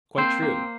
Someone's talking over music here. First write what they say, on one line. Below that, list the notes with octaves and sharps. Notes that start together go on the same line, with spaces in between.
Quite true.
A#3 C4 C5
A#3